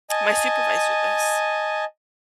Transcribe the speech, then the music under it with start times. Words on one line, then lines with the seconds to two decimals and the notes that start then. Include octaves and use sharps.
my supervisor this.
0.10 D#5 G#5 A5